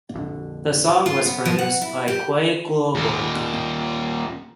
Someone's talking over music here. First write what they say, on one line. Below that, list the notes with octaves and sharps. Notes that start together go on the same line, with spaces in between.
The song was produced by Quay Global.
A#1 F2 D3
F4
B3
F3
F#5
E4
G4
D#2 A#2